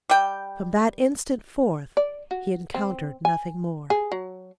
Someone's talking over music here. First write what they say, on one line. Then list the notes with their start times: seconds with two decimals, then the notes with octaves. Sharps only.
From that instant forth he encountered nothing more.
0.09 G3 G5
1.97 D5
2.31 F#4
2.74 C4
3.25 G#5
3.90 G#4
4.12 F#3